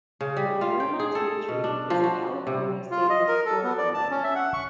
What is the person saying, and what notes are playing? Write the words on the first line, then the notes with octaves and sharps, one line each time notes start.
The Paramount Hay Tree is a California State Historical Landmark.
C#3
G3
F4
G5
G#4
A4
B2
D4
F3
F#4
C3
F4
D#5
A#4
A4
B3
D5
A5
C#4
E5
F#5
C#6